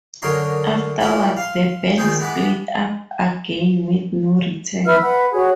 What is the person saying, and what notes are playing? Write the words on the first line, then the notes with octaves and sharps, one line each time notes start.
Afterwards, the band split up again with no return.
F#2 D3 A#4 C#5 D#5 C6
A#2 E3 C#4 E4
F5 C6
A#1 D#3 D#4 G#4 C5
E3 G#3 B3 B4 D6
B4 E5 E6 F6
B4 F#5
F#4 G#4 C#5